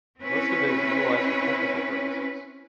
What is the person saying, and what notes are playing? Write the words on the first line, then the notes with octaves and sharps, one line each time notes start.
Most of it is utilized for technical purposes.
C4 C#4 E4 B4